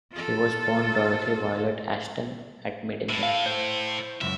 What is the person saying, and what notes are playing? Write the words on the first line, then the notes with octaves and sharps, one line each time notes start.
She was born Dorothy Violet Ashton at Maidenhead.
F4 A4
A2
F5
C5
C#2 F#2 E5